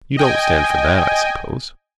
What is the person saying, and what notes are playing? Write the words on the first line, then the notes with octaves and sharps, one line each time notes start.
You don't stand for that, I suppose?
D#5 G5 G#5